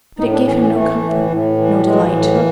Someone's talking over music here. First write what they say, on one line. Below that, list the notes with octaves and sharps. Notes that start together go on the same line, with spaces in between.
But it gave him no comfort, no delight.
A2 D#4
D4
E3 C#4
C#4
E3 A3
A2
A2
E3
E3 G#3
A2
A#3